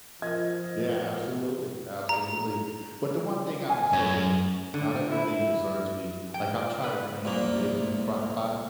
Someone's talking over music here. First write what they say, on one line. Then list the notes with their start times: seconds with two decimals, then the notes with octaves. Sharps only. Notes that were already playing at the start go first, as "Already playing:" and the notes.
Yeah, absolutely, absolutely. But the one thing I will say this, not everything deserves to be like, I've tried making ribs in a Crock Pot.
0.22 F3 F4 A#4 D#5 G#6
2.09 A#5
3.70 G#5
3.93 F#2 C#4
4.74 D3
5.12 E4
6.34 G5
6.84 B4
7.25 C2 A#2 A#3